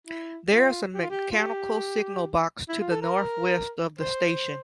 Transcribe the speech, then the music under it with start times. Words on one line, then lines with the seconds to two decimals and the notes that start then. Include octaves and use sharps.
There is a mechanical signal box to the north west of the station.
0.07 E4
0.50 F4
0.94 G4
1.02 F4
1.10 G4
1.31 F4
1.38 G4
2.69 E4
2.80 F4
2.91 A4
3.02 A#4
3.99 C5